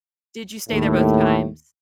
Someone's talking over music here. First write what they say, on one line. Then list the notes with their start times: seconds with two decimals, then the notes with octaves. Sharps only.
Did you stay there both times?
0.70 D#2 A2 A3